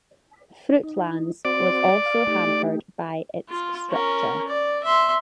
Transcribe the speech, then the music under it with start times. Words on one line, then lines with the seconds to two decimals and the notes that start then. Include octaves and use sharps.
Fruitlands was also hampered by its structure.
0.84 D#4
1.45 C4 F#4 C5 D5
2.06 F5
2.27 A3 D#4 G4
3.49 F4
3.89 C#4 A#4
4.48 D5
4.84 E5 C6